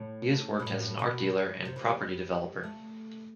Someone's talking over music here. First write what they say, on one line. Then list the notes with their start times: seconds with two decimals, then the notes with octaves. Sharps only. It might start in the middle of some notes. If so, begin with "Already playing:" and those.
He has worked as an art dealer and property developer.
Already playing: A2
0.59 B2
0.66 A2
0.99 B2
1.65 C3
1.76 E3
1.87 G3
2.64 A3